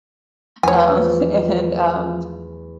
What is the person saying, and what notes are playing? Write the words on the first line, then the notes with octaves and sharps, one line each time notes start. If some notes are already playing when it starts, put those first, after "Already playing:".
um, and, um,
E2 F3 F#3 A3 C#5 G#5